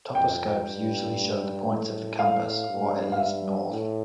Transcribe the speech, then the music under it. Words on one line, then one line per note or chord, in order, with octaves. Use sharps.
Toposcopes usually show the points of the compass, or at least North.
F2 G5
G2
A2
F5
G2
F5
E5
A2